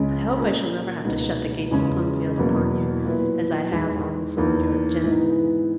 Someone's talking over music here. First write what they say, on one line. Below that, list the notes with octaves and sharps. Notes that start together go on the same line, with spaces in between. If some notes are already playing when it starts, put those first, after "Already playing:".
I hope I shall never have to shut the gates of Plumfield upon you, as I have on some of your "gentlemen".
Already playing: C#2 C#3 G#3 C#4
A#2 A#3 C#4
C#2 B2 A#3 D#4
E2 C#3 G#3 C#4
E2 B2 F#3 A#3
A#2 F#3 B3 E4
E2 D#3 G#3
E2 D#3 A#3
G#2 E3 B3 D#4